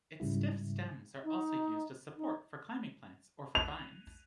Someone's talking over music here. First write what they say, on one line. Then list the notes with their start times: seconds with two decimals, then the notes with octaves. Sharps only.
Its stiff stems are also used as support for climbing plants or for vines.
0.20 G#2 C#3 G3 E4
1.24 D#4
2.17 D#4
3.55 F7